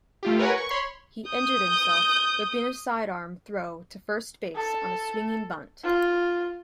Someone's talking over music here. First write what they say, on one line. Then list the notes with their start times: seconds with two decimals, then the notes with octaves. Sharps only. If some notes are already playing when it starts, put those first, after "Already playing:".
He injured himself, whipping a sidearm throw to first base on a swinging bunt.
0.23 A3 F4 G4
0.39 A#4 B4 C#5 F#5 G#5
0.57 C#6
0.70 C#5 B5 C6
1.29 D#6 G6
4.56 A4
5.84 F4